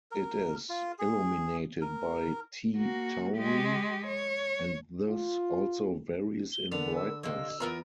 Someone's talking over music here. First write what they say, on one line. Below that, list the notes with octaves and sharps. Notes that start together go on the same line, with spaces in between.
It is illuminated by T Tauri, and thus also varies in brightness.
A#4
F4
G#4
A#4
A#3 F#4
G#3 G4
C#5
F4
G7
D3 B3 A#4 F7
E6
C3 A#3 D#5 E6
E2 B3 F4 A#4 A#5